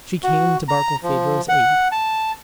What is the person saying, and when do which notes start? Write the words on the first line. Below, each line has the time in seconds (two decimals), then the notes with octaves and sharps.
She came to Barkilphedro's aid!
0.23 F#4
0.68 A#5
1.03 F3
1.49 F#5
1.92 A5